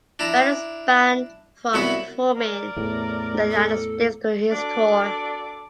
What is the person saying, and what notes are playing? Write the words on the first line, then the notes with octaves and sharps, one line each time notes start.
Brown is banned from performing in the United States during his tour.
D4 E4 A#5
C2 F#3 B3 E4 F#5 B5
A#4 D5
E2 A2
A4
D4 F#4 A4 D5 D6